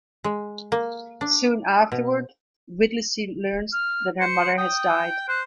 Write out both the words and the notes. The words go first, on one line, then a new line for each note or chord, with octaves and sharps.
Soon afterward, Whittlesey learns that her mother has died.
G#3
A#3
D4
B2
F6
C5 C#7
G5 D#6
C5 F#6